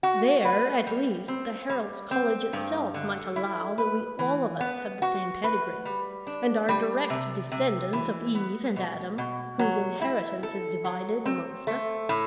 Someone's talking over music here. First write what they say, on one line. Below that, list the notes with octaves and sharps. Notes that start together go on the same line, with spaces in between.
There, at least, the Heralds' College itself might allow that we all of us have the same pedigree, and are direct descendants of Eve and Adam, whose inheritance is divided amongst us.
F#4
B4
G3
C4
G3
C4
G2
D3
E4
B4
E3
B3
F#4
B4
G3
D4
G3
C3
C3
E3
B3
B2
B2
F#3
E4
A4
F#3
C4
A3
A2